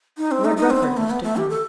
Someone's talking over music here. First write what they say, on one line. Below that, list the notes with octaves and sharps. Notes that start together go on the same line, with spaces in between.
Lord Rufford was to come.
D#4
C4
D#4
D#4
C4
B3
A3
B3
A3
G4
A4